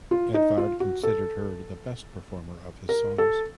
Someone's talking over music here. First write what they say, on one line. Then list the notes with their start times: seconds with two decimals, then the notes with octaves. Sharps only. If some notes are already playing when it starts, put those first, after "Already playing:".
Edvard considered her the best performer of his songs.
0.11 F4
0.34 D#4
0.58 F4
0.80 F#4
1.03 A4
2.89 A#4
3.18 A4